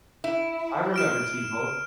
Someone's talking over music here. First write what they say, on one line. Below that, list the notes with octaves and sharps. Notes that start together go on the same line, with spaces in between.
I remember TiVo.
E4
F6 D7 E7